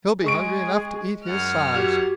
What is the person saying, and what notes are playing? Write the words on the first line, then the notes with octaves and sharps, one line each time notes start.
"He'll be hungry enough to eat his size."
G#3 G#4 C#6 D7
F#2 F#5 F6
F#4 G4 G#6